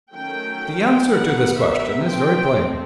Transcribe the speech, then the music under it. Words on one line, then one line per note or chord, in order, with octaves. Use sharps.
The answer to this question is very plain.
D#3 F#3 A3 C#4 G5
D#3 G3 B3 F#5
E5
F3 A3 C4 G5